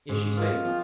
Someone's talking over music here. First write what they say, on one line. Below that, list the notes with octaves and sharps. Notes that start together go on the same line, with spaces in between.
"Is she safe?"
G#2 G#4 C5
F4 A#4 D#5
F3 C4